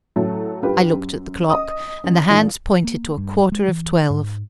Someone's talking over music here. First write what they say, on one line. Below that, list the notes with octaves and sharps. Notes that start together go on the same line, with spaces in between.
I looked at the clock, and the hands pointed to a quarter of twelve.
A2 F#3 A3 A4
G2 F4 G4 B4
F#2
D#5 D#6
A1
A#2 D#3 E3
A#3
G2
G#3
E3
G#2